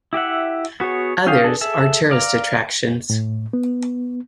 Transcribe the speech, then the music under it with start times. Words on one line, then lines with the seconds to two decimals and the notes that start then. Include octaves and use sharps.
Others are tourist attractions.
0.13 E4 G4 E5 F#5
0.80 B3 F#4 G#4 C#5
1.26 C#4 F4 G4 G#4 F5
1.44 D4 G#4 A4
1.61 G#4 A4 E5
2.11 D5 F5 A#5
3.10 A2
3.53 B3